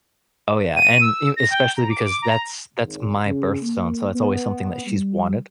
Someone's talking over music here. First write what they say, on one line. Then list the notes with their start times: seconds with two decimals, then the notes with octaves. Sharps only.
Oh, yeah. And y especially because that's that's my birthstone, so that's always something that she's wanted.
0.76 D#7
1.01 E6
1.37 A#6
1.50 G5
1.77 A#5
1.90 D6
2.04 D6
2.22 A#5
2.85 G#1
3.26 C#3
3.62 A#3
4.15 B3
4.87 G3